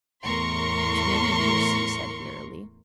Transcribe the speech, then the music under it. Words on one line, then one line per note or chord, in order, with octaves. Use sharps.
"It's no use," he said wearily.
E2 A2 A#4 C6 C#6